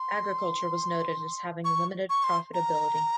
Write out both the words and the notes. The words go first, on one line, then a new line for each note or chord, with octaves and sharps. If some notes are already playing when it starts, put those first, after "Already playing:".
Agriculture was noted as having limited profitability.
Already playing: C6
C#6
C#6
C6
A#5